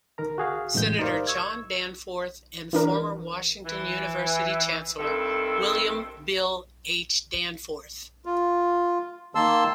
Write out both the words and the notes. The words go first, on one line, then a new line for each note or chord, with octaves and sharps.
Senator John Danforth and former Washington University chancellor William "Bill" H. Danforth.
D#3 A#4 A#5
F#4 G#4 F5
F#2 A2 E3 G#3 G6
D#4 G4 A#4 C5 D5 F5
C#6 E6 G#6
E3 D4 A#4
E3
G2 D#3 C4 E4 A4
F4
D#3 A#3 A5 C6 E6